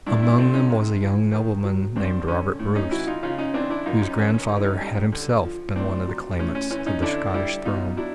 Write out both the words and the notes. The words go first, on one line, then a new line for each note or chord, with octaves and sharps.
Among them was a young nobleman named Robert Bruce, whose grandfather had himself been one of the claimants to the Scottish throne.
G2 D4 E4
D4 E4
D3 C4 D4
C#4 D#4
C3
E3
D#3
F#3
G2 C4 D4
D3 C#4
A2
C#4 D#4
E3 E4 F#4
D#4 F4
C#3 D#4 F4
C#4 D#4
E3 C4 D4
D4 E4
F#2 D#4 F4
C#4 D#4
D#3 C#4
C#4
D3 D#4
E4
C#4 D#4
G3
D3
F3
A2 C4 D4
F#3
A2 C#4
C#4
E3 C#4
C#4 D#4
D3 D4 E4
G3 D4 E4
B2 D#4 F4
F#3 D4 E4